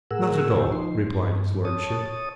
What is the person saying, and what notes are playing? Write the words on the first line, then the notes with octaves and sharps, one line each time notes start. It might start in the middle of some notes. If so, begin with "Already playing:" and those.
"Not at all," replied his lordship.
A2 G#4 A#4 F#5 E6
D3 D#3 F4 G4 C5 C#5
F3 D#4 C6
G2
C#5 A5 D#6